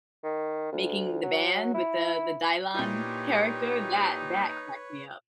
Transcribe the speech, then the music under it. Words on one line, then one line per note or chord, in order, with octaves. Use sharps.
making the band with the the Dylon character. That that cracked me up.
D#3
D2
F#3
E4
A#2 D#4 E4 G4 B4 C#5